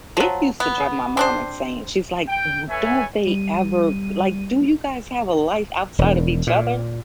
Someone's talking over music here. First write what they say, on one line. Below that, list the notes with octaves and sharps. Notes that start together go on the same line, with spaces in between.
it used to drive my mom insane, she's like, "W don't they ever, like, do you guys have a life outside of each other?"
F3 F#3
B3
C4 D4 C5
G5
A4 B4 C#5 E5 G#5
G3 D#7
E1
A#2